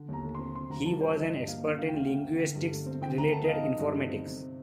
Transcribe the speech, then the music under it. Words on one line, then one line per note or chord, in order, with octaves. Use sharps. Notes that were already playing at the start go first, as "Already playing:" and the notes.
He was an expert in linguistics-related informatics.
Already playing: D3
D#2 A#5
A3
C6
C4
C3 C6
D2 A#5
G3 A5
D2 C5
F3 D#5
G2
A#3 F5
D4
D3 F5
G5
D2
F5
A3
C4
D3
G2
A3
C4
D3 G5
D2 A#5
A3 A5
D#5
D#4 F5
D#3 D#5
G2
A3
C4
C3